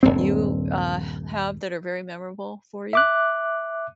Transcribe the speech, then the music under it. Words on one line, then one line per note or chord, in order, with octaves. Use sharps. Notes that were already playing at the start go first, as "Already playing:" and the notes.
you, uh, h have that are very memorable for you?
D#1 G#1 G2 C4
E5 D6 F#6